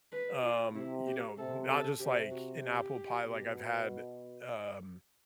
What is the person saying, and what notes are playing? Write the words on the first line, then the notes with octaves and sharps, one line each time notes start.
um, you know, not just like an apple pie, like, I've had, um,
B4
F4
C3 E4
G4
C3 A4
A4
C3 G4
F#4
G4
B2